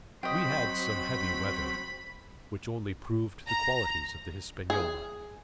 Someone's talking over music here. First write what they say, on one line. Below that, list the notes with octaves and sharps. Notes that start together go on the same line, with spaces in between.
We had some heavy weather, which only proved the qualities of the HISPANIOLA.
F#3 C4 D#5 G5 B5
A#5
G#4